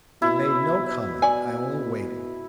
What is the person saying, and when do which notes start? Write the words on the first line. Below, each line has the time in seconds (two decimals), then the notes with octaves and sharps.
I made no comment; I only waited.
0.22 B2 E4
1.22 D5 G#5